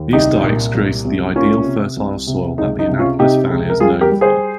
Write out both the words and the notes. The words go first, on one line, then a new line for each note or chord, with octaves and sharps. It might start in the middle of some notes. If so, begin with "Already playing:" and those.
These dykes created the ideal fertile soil that the Annapolis Valley is known for.
Already playing: D#2
C2 D#4 G4
A#2
C2
C2
A#3 C#4 F4
C3
C2
C3
C#2 D#4
D#4
C3
C#4 F4
C3 D#4 G4
C#2
A#4
G3 F4 G#4
G4 A#4
G3
G#4 C5